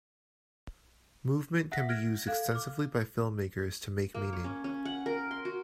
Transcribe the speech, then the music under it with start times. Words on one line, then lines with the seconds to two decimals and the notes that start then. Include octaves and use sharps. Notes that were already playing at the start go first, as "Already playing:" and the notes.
Movement can be used extensively by film makers to make meaning.
1.72 E5 F#5 F#6 A#6 B6
1.89 F6 F#6 G#6 A#6 D7
2.26 A4 F5 F#6 G#6
2.52 D6 F6
4.14 A#3
4.33 C#5
4.44 C#4
4.64 C#4
4.85 F#5
5.06 A#4
5.31 C6
5.45 F#4